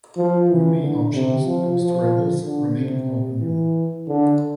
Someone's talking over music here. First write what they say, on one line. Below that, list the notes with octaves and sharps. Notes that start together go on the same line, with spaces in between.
Rooney options, post-Rebels, remain open.
F3
E3
D3
C3
F3
F3
D3
C3
E3
D3